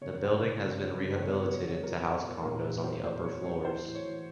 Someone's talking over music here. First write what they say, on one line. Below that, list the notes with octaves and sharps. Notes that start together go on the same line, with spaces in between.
The building has been rehabilitated to house condos on the upper floors.
C#3 C#5
F#3 C5
C#5
C#3
C#3
F#3
C#3
C5
B2 C#5
F#3 B4
C#5
F#3 C#5
F#3 A#4
F#3
A4
B2
A#2 A#4
A#2 B4
F#3 C5
A#2 C5
F#3 C#5
F#3 C#5
E3 C5
A2
C#5
E3